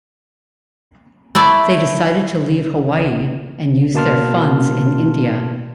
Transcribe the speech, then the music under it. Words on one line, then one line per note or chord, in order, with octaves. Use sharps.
They decided to leave Hawaii and use their funds in India.
A3 E4 D5
B2 A#3 A5 C6 F6